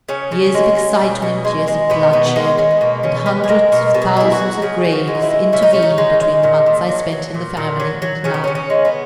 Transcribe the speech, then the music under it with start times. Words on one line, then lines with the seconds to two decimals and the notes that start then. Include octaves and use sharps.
Years of excitement, years of bloodshed, and hundreds of thousands of graves intervene between the months I spent in the family and now.
0.09 C#3 C#4
0.32 C#3
0.54 G#3
0.77 G#3
0.99 B2
1.22 B2
1.45 G#3
1.68 G#3
1.90 B2 B3
2.13 B2 B3
2.26 B3
2.36 G#3 A#3
2.58 G#3 C#4
2.71 B3
2.81 B2 A#3
3.03 B2 C#4
3.26 G#3 B4
3.44 G#4
3.49 G#3 A#4
3.72 B2 A#4
3.94 B2
4.02 G#4
4.17 G#3 E4
4.32 F#4
4.39 G#3
4.62 C#3 G#4
4.85 C#3
4.92 F#4
5.07 G#3
5.15 D#4
5.22 E4
5.30 G#3
5.53 C#3 E4
5.62 D#4
5.73 C#3 C#4
5.82 D#4
5.98 G#3
6.21 G#3
6.43 A#2
6.66 A#2
6.89 F#3
7.12 F#3
7.34 A#2
7.57 A#2
7.80 F#3
8.02 F#3
8.24 C#3 C#4
8.34 B3
8.44 C#4
8.47 C#3
8.55 C#4
8.70 G#3
8.85 B3